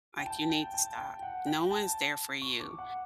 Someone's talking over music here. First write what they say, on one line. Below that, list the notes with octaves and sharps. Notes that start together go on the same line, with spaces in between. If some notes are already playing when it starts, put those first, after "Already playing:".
Like, you need to stop. No one's there for you.
G5
A5
G5
A5
G5
F#5
G5
A5
C#6
D6
F#5